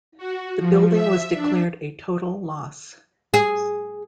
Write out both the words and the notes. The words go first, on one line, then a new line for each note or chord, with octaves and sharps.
The building was declared a total loss.
F#4
F3
E5
D4
G#4